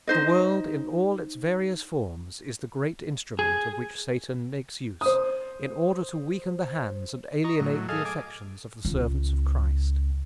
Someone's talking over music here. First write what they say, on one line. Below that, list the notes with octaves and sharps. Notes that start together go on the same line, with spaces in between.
The world in all its various forms is the great instrument of which Satan makes use, in order to weaken the hands and alienate the affections of the servants of Christ.
D#4 C5 D#5
G#4
C5 D#6
D#5 A#5 C#6
A2 F#3
G#4 A4 D#5 F5
G#5 D6
C#2